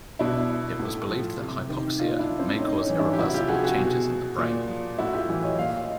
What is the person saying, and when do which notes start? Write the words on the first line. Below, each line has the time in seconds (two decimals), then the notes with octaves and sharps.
It was believed that hypoxia may cause irreversible changes in the brain.
0.19 B2 D4 E4
0.80 A2
1.10 F3
1.39 C3
1.69 D#3
1.99 A#2 D#4 F4
2.19 D4 E4
2.29 F3
2.39 C4 D4
2.59 A2 C#4 D#4
2.79 C#4 D#4
2.89 E3
2.99 D4 E4
3.13 G4
3.19 C3 E4 F#4
3.34 F4 G4
3.48 F3 F#4 G#4
3.63 F#4 G#4
3.79 B2
4.38 A#2
4.68 F3
4.98 A2 E4 F#4
5.13 F4 G4
5.29 E3
5.43 C#5 D#5
5.59 A#2 F5
5.84 D#5